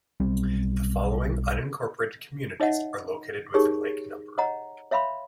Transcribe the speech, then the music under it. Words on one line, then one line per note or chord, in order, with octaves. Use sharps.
The following unincorporated communities are located within Lake No.
B1 G3 C4
D#4 C#5 D#5 E5 F#5
D#4 G4 G#4 A#4 C#5 C#6
C#5 D#5 F#5 A#5
C#5 E5 F5 B5 C6